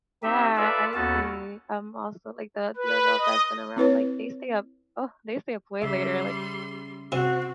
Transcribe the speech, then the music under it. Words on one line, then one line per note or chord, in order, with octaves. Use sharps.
yeah, I agree, um, also like the the adults I've been around, like they stay up, oh, they stay up way later,
C4 D#4 G4 E5
F4 A4 B4 D5 E5
D#2 B3 C#4 F#4 A4 A5
B4
D#5
C4 E4 B4 C#5
C#3 G3 E5 C6
C3 C4 F#4